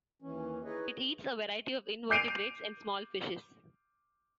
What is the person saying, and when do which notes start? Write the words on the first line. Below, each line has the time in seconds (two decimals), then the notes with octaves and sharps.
It eats a variety of invertebrates and small fishes.
0.22 D#2 E3 C#4
0.65 D#4 E4 G#4 B4 C#5 D#5
2.10 D6 G6 C7 D7 D#7 F7